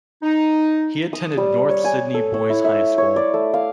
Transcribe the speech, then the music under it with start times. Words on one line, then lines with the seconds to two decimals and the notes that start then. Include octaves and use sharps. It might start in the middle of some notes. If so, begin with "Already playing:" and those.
He attended North Sydney Boys High School.
0.23 D#4
1.13 D#6
1.37 G3
1.69 C#5
1.84 G#5
2.14 A4
2.34 C#5
2.50 E4
2.65 E5
2.98 C#5
3.16 D5
3.34 A3
3.54 F5